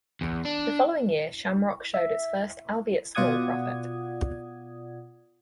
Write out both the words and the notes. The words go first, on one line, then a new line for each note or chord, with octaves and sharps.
The following year Shamrock showed its first, albeit small, profit.
E2
D4
E5
B2 F4 D5 F#5 D#6 G#6